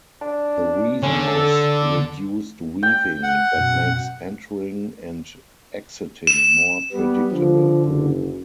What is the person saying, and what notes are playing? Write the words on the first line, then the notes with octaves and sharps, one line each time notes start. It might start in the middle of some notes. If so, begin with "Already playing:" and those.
The reason is reduced weaving that makes entering and exiting more predictable.
D4
D3 C#4
A4
G5
F#5
F#2 B2
E7
G3 B3
D3 F3
F#1